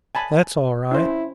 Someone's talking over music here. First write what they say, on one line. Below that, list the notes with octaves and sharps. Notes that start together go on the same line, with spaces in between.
That's all right.
G#5 A5 B5
C#4 E4 C5